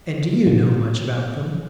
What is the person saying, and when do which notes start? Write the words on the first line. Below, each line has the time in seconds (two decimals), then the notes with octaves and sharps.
"And do you know much about them?"
0.47 A2